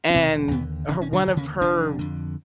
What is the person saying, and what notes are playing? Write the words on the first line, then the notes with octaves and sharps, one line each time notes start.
and her one of her
C#4
E1 C3 C4
D#2 B2 D3 B3
E1 C#3 C#4
C#4
D3 D4
D#2 D3
C#3 C#4
F1 D3 D4
F2 D3